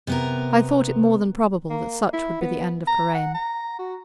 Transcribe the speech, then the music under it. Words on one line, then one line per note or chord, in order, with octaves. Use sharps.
I thought it more than probable that such would be the end of Karain.
C3 B3 A#4
A#3
E4
B3
A#5
F#5
A#5
F#4